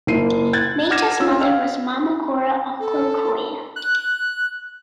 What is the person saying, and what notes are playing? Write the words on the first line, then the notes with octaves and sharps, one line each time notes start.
Mayta's mother was Mama Cora Ocllo Coya.
F#1 A#2 E4 C7 D#7
F#6 G#6 A6
F#5 D6 F6 G#6 A#6 E7
C#4 F4 E6
D#5 F5 G5 F6
A4
F#6